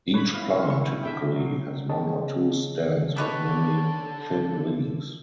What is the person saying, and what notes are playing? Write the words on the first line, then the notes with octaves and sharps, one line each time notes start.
Each plant typically has one or two stems with many thin leaves.
B4 C#5 B5
E4 F5
C#6
D4 E5 G5
F#3
C#3 C#4 G#4 C#5 D#5 A5
G3 D4 A4 B4 C#5 D#5 A5 D6